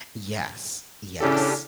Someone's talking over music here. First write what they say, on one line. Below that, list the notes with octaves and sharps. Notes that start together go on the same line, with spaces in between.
Yes, yes.
C#3 C#4 D4 E4 G4 A4